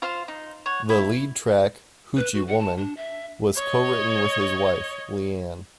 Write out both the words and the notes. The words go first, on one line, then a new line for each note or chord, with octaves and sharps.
The lead track "Hoochie Woman" was cowritten with his wife, Leann.
F4 C5 F5
D#4
C#5 F#5
E4
B4
F#4
F#5
A5
D4
E5
C#5 D#5